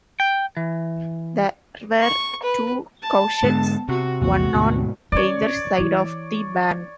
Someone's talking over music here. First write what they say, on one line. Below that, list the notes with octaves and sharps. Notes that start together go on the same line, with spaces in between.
There were two cowsheds, one on either side of the barn.
G5
E3
C#6
B4
A5
G#2 D3 G#3 B3
C3 F#4
A#1 E2 A#2 F#4
D2 G#2 B2
D#3 C#4 C#5 D5
E3 E4